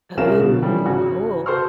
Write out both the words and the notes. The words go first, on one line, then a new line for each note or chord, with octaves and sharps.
Oh, cool.
C2 G#3 C#4 F4 A#4 E7
B2 D3
E3 F3 G3 C#4
G#1 C#3 F#4
F#4 A4 C5 C6 C#6 F6